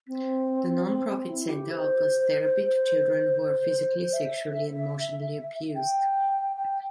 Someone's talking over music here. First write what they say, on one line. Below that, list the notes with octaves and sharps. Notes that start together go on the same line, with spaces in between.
The non-profit center offers therapy to children who are physically, sexually and emotionally abused.
C4
C4
C4
E4
G4
C5
E5
G5
G5